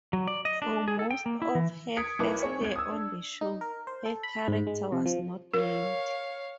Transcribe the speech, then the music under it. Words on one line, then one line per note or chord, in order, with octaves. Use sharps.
For most of her first year on the show, her character was not named.
F#3
D5
D#5
D4
G#4
A4
G5
A#3
E4
E3
D#6 G#6 B6 C#7 D7
B1 E4 A#4 B4 D6
C4 G#4 C#5 C#7
G#1 G#6
D#6 E6
D4
D#4
A#4
C5
A4
B5
G#2
G#3
C3
F3
A#4 C#5 F5